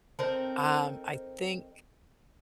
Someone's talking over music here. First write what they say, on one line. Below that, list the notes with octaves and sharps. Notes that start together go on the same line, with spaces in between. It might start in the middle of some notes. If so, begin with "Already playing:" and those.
i um, I think
C4 D#4 A4 A#4